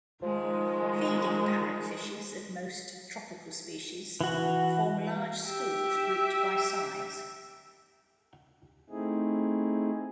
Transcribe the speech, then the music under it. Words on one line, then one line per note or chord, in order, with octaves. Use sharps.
Feeding parrotfishes of most tropical species form large schools grouped by size.
D#3 F3 G#3
E3 F#4
G4 E5
A3 C4 D#4 E4 G#4